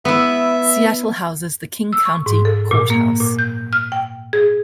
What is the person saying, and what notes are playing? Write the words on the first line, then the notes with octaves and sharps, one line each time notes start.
Seattle houses the King County Courthouse.
B3 E4 E5
E6
C#6
G#2
A4
A#2
A#3
A#2
G6
F6
G5
G#4